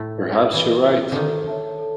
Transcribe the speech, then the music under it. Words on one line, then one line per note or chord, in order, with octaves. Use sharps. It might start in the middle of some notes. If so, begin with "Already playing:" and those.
Perhaps you're right.
Already playing: A2 A3 E4
G#4 B4 E5
E3 E4
G#4 B4 E5
D3 D#3 A4
C#5 E5 A5
A4